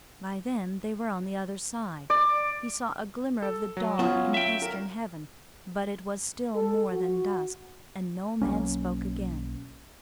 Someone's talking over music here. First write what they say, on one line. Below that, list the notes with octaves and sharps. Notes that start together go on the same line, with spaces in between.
By then they were on the other side he saw a glimmer of the dawn in the eastern heaven, but it was still more than dusk, and no man spoke again.
D5
A4
F#3
B3 C#4 F4
E5 G5
A#4
A4
F#4
B1 F#3 A#3 C#4